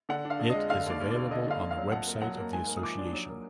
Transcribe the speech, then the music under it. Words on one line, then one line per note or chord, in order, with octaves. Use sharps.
It is available on the website of the association.
D3 F#5
D4
F5
F2
G#3 D#5
D3 F5
D#2 D5
D#2
D5
D#2
D3 D#5
D3 F5
D3
F5
F#3
F2 F#5
A#3
F#3 F#5
A#3
G#2 G#5
A#3
D#6
F3 D6
D4
F#3
A#3